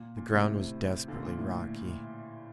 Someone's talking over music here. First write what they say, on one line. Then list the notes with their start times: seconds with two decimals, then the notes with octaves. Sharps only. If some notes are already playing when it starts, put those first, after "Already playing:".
The ground was desperately rocky.
Already playing: A#2
0.17 A#2
0.32 A2 C3
1.08 A#2 D3
1.24 A#2
1.38 A2